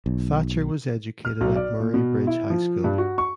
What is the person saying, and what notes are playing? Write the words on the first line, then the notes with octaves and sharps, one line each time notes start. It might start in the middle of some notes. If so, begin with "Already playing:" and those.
Thatcher was educated at Murray Bridge High School.
B1
F6
B1
D5
A#2
B2
E4
F3
G2
F#4
C#6